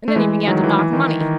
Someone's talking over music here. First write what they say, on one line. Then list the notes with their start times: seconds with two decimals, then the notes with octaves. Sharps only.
And then he began to knock money.
0.08 A3
0.16 E3 G#3
0.47 D#3 F#3
0.64 E3
0.79 E3
0.93 D#3
1.21 D#3